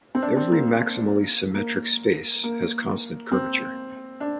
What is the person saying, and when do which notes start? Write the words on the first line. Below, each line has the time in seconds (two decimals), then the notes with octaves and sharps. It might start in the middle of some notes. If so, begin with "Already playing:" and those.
Every maximally symmetric space has constant curvature.
0.15 C4
0.22 D4
0.37 C4
0.52 A#3
0.67 A#3
1.54 A#3
2.44 A#3
3.32 C4
4.20 D4